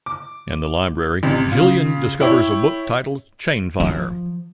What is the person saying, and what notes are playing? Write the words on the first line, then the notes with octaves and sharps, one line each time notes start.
In the library, Jillian discovers a book titled Chainfire.
D6
A1 C3
C#3 F4
E4 C#5 G5
F3